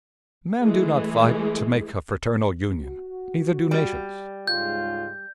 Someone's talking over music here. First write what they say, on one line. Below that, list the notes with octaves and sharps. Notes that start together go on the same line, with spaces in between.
Men do not fight to make a fraternal union, neither do nations.
E3 G#3 A3 G#4
F#4
G3
C#2 G#2 F4 G6